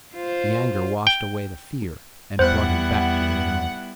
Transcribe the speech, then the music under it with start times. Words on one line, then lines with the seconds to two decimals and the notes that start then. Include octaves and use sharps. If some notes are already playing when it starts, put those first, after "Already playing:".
The anger washed away the fear and brought him back to reality.
0.14 F4 C5
1.07 G5
2.39 E2 G3 B3 E4 C5 F#5 F#6